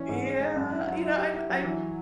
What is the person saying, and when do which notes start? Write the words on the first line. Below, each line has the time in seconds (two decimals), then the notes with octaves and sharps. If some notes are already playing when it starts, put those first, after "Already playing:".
Yeah, you know, I'm I'm
Already playing: E3 C#4
0.09 G#2
0.25 G#3
0.40 G#3
0.56 F#2
0.71 E4
0.87 F#3
1.02 E4
1.18 G4
1.33 E4
1.50 F#3
1.64 E3